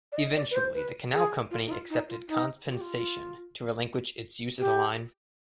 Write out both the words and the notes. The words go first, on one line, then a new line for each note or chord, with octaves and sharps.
Eventually the canal company accepted compensation to relinquish its use of the line.
D5
D#5
D5
B4
C5
B4
G#4
F4
D#4
F4
D#4
F4
D#4
F4
G4
F4
G4